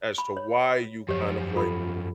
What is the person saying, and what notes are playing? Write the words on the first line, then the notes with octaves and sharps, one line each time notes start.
as to why you kind of like
B5
C#5
F#2 F3 G4 C#5
F4 A4 B5